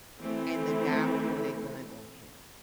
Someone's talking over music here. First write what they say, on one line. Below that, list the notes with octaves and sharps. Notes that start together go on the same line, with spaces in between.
and the guy pulled a gun on him,
E3 A3 C4